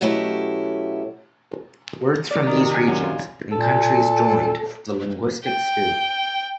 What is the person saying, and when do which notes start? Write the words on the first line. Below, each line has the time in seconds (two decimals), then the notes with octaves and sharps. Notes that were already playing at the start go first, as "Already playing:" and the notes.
Words from these regions and countries joined the linguistic stew.
0.01 B2 F#3 A3 C#4 E4 G4
2.31 D5
2.47 D#3
2.60 C3
2.74 G#5
2.87 F#2
3.02 F4
3.52 A#2 A4
5.45 G5